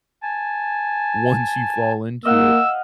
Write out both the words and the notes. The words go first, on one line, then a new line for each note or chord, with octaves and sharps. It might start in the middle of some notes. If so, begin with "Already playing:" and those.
once you fall into it,
G#5 A5
A#3 D#5 F5 F#5 E6